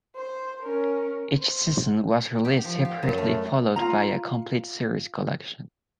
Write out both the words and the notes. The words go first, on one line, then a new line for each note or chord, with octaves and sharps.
Each season was released separately followed by a complete series collection.
C5
C#4 A#4
C5
G4
F3
G4
F#2
A3
F4 A#5